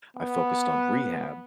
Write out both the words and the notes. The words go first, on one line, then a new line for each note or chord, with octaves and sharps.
I focused on rehab
B3